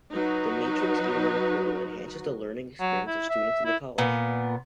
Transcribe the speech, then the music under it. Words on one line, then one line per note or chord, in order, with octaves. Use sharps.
The Matrix E-learning Portal enhances the learning experience of students in the college.
F#3 D#4 F#4 B4
F#3
E4
E5
E4
A#2 B3